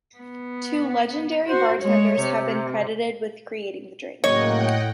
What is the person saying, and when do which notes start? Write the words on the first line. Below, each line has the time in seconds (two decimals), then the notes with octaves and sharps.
Two legendary bartenders have been credited with creating the drink.
0.18 B3
1.45 F#4 C5
1.82 G#3 C#5
2.20 C3
4.24 A2 C#3 F#3 A#3 C#5 D#5 F#5 G5